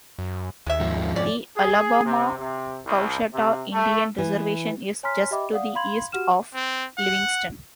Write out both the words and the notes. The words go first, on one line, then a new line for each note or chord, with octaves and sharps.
The Alabama-Coushatta Indian Reservation is just to the east of Livingston.
F#2
D#2 G#3 E5
F2 G#2 F3
C#4 D5
G#4
C3
C3
C2
C3
A3
E3
C#5 G#5 A#5 C6 F6 B6
G4 D#5 E5 G5 B5 D6
D5 F5 F#5 D#6
F5 B5 C6 G#6 F#7
F#4 G4 F#5 F6 E7
C4
F#5